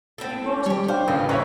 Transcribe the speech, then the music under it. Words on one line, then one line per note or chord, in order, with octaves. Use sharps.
"Have you brought it?"
C4 E4 A4
G3 G4 C#5
D4 C5 F5 G5
A1 D#2 C#3 F4 B4
F3 A#3 D#4 B4 C#5 E5 B5 C#6